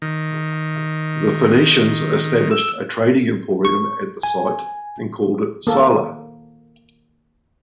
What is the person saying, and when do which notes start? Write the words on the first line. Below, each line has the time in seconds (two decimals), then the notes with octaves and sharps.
The Phoenicians established a trading emporium at the site and called it "Sala".
0.02 D#3
2.51 E6
3.65 C#6
4.23 G#5
5.67 A#3 A4